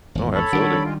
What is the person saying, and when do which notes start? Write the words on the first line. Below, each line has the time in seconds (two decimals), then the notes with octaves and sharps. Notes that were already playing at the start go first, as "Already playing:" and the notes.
Oh, absolutely.
0.15 G#1 E2
0.35 A4 C#5 B5
0.53 D#3 E3 G3 D4 F#5 D7
0.84 G#3 F4